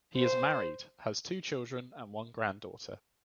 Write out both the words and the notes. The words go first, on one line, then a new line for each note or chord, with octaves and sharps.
He is married, has two children and one grand daughter.
C5